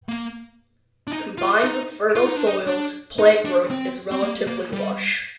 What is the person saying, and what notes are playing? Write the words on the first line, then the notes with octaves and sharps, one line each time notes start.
Combined with fertile soils, plant growth is relatively lush.
A#3
D4
D#4
F4
D#4
F4
D#4
D4
D#4
D4
D#4
D4
C4
C4
A#3
A#3
G3